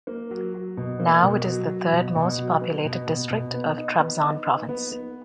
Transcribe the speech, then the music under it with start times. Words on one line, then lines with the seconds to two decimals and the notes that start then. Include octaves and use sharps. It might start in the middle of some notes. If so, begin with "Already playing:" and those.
Now it is the third most populated district of Trabzon province.
0.07 A#3
0.31 F#3
0.54 F#3
0.77 B2
1.00 A#3
1.23 B2
1.46 F#3
1.69 F#3
1.92 B2
2.15 B2
2.38 F#3
2.61 B3
2.84 B2
3.07 B2
3.30 B2
3.54 B3
3.77 D#4
3.99 B3
4.23 D#4
4.46 D#4
4.69 B3
4.92 B3